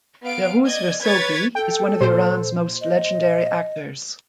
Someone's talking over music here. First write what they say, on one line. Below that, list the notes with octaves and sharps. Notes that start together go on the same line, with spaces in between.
Behrouz Vossoughi is one of Iran's most legendary actors.
B3 F5 D7
D5 D#5 G#6
B4 C#5 G#6 A6 B6
A4 G5
A#2 C5
D#5